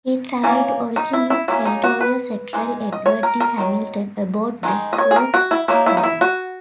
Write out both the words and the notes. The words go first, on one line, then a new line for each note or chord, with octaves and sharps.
He traveled to Oregon with Territorial Secretary Edward D. Hamilton aboard the sloop "Falmouth".
E3 A#3 C#4
D#4
E4
E4
F#3 A#3 C#4 E4
D#4
F#4
B4
E3 G#3 D#4
D#5
C#5
A#4
A#4
D#3 F#3
D#3 G#3 D#4
D#5
C#5
G#4
A#4
F#4
E4
F#3 A#3 D#4 E4
E4
D#4
E4
F#4